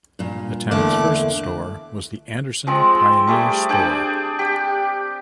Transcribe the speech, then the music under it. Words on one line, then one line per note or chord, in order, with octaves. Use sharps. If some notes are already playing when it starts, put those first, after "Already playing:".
The town's first store was the Anderson Pioneer Store.
G2 A#2
E2 D3 A3 A#3 D6 F#6
F3 G#3 C4
G3 A3 G#4 D5
D4 G#4 D5 G5
G4 G5